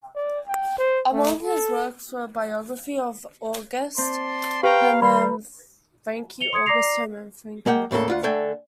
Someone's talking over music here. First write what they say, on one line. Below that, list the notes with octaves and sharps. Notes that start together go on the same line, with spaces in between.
Among his works were a biography of August Hermann Francke, August Hermann Francke.
D5
G5
C5
A3
A4
C4 D5 A5 C6
G4 B4 C5 F5 G5 A#5
G3 B5 C6
C#7 F7 G7
C6 D#6 G#6 C#7
D5 A#5 D6 A#6 C7 F7
G#3 A#3 F#5 G5
E2 A2 C#3 A#3 A4
D2 F4 F#5
D3 A3 A4 G5 G#5